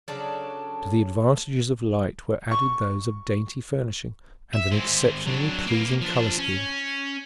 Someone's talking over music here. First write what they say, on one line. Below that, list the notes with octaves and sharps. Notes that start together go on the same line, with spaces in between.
To the advantages of light were added those of dainty furnishing and an exceptionally pleasing color scheme.
C#3 F#3 D4 A4
C#6
E5
G#3 C4
F#3 D4
A#3 B4
F3 D4
C#4